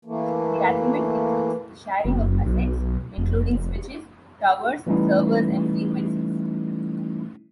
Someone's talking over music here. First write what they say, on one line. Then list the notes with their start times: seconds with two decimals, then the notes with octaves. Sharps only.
The agreement includes the sharing of assets including switches, towers, servers, and frequencies.
0.05 E3 A3 A#3
2.05 F#1
2.46 B1
3.18 F1
4.87 E3 G3 A3 C#4 D#4 E4